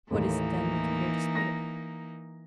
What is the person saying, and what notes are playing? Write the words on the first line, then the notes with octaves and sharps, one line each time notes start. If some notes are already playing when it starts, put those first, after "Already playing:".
What is it then we can here dispute about?
D#2 A2 E3 A#3 D#4
A#6